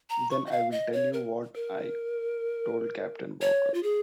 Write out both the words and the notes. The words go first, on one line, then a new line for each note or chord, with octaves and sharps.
Then I will tell you what I told Captain Walker.
A#5
C#6
D#5
F5
D#5
C#5
A#4
A#4
C#5
F4
G#4